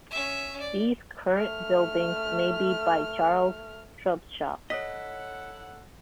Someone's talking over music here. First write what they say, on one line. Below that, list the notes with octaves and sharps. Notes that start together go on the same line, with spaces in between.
These current buildings may be by Charles Trubshaw.
C#4 E5
D5
A3 F6
E4 A4 C#5 D#5 F#5 B6